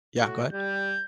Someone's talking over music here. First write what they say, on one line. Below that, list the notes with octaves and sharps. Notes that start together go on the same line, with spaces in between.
Yeah, go ahead.
A2 F#4
G3 G6